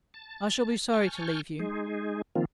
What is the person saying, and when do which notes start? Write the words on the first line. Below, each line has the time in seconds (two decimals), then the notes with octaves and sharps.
I shall be sorry to leave you.
0.14 A5
0.93 G#5 A5 C#6 F6 G6
1.59 G#3 D#4 G#4
2.36 D#3 F3 A#3 C4 F4